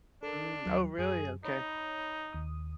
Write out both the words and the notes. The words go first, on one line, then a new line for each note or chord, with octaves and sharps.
Mm, oh, really, okay.
D4 A4 A#4
D#2 F#3
F#2 G#4
D#4 C#5 B5
D#2 D#6